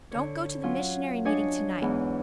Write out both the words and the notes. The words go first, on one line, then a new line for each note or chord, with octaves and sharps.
"Don't go to the missionary meeting to-night."
D3 C#5
F#3 C#4 F4
D4 C#5 D#5 G#5
E2 G#2 E3